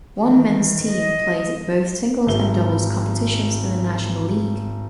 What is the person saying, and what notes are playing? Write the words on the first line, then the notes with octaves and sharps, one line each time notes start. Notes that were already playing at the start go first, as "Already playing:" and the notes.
One men's team plays in both singles and doubles competitions in the National League.
D#3 E3
D#5
G#1 E5 G7